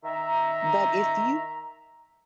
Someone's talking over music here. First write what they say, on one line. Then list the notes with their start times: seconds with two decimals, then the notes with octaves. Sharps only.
but if you
0.04 D#3 E5 A#5